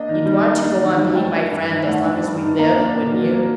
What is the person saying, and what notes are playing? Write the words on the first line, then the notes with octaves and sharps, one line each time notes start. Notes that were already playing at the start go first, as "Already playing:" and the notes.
"You'd want to go on being my friend as long as we live, wouldn't you?"
Already playing: A#3 D4 D#5
D#3
G3
A#3
D4
D#3
G3
A3 G5
D4
G2
D#3
A3 F#5
D4
G2
D#3
A#3 A#5
D4
A#2
F#3
A#3